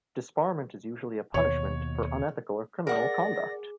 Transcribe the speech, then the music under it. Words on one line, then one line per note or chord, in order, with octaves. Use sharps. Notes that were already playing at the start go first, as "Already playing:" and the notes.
Disbarment is usually a punishment for unethical or criminal conduct.
D#2 B2 C#5
G#4 A#4 D5 F#5 A#6